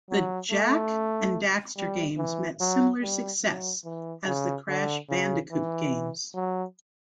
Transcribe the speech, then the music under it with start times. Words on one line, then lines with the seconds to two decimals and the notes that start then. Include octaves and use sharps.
The "Jak and Daxter" games met similar success as the "Crash Bandicoot" games.
0.10 F#3
0.51 A3
1.77 G3
2.17 E3
2.60 F#3
3.02 G3
3.42 F#3
3.84 E3
4.27 C#3
4.68 D3
5.09 C#3
5.51 E3
6.34 F#3